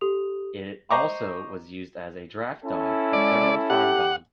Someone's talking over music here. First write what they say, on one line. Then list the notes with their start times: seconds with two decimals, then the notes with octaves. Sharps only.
It was also used as a draft dog, and general farm dog.
0.01 G4 A4 D#6 F7
0.91 C5 D#5 A#5 C#6 D6
2.65 C#4 E4 A4
3.13 G#3 D5
3.70 G4 F#5